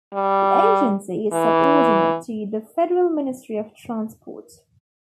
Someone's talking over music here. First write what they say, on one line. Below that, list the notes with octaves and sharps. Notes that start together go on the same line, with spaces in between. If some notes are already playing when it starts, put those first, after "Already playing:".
The agency is subordinate to the Federal Ministry of Transport.
G3
E3